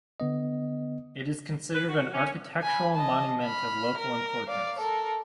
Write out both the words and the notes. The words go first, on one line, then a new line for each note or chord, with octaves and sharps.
It is considered an architectural monument of local importance.
D3 B3 D#5
B4
F#4
C#4
G#5 B5
D#5 A5
B5 F6
A#4
D5 F5
A4 A#4